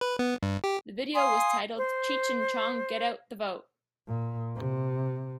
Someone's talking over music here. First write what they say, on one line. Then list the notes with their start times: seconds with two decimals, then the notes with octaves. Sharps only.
The video was titled "Cheech and Chong Get Out the Vote!".
0.01 B4
0.19 B3
0.43 G2
0.64 G4
1.14 F5 G#5 C6 D#6
1.75 C5
4.08 A#2
4.56 C3